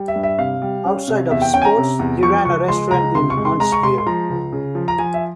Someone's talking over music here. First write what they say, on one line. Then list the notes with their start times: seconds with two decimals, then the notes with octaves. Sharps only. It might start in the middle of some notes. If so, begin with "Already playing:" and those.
Outside of sports, he ran a restaurant in Huntsville.
Already playing: G3
0.08 E5
0.16 G2
0.23 E5
0.38 C3 F5
0.62 G3
0.85 C#4
1.08 C3
1.31 E2 E5
1.42 G5
1.54 C#4 G5
1.62 G#5
1.65 A#5
1.77 C3
1.99 E2
2.23 F3 C#6
2.45 C#2 C#6
2.68 G#3 C6
2.91 C#2 A#5
3.15 C3 C6
3.30 C#6
3.37 G#3
3.45 C6
3.60 G#3 A#5
3.72 C#6
3.83 G#3 C6
3.98 C6
4.06 F3 A#5
4.29 C#2
4.53 C#3
4.75 F3
4.88 A#5
4.98 F3 G#5
5.14 E5